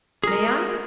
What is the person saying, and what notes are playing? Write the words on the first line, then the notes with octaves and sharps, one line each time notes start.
"May I?"
G#4 A#4